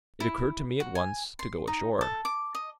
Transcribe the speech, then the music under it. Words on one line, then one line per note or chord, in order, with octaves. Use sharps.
It occurred to me at once to go ashore.
E4
F#4
G#5
C6
D#4
A4
D6
D#5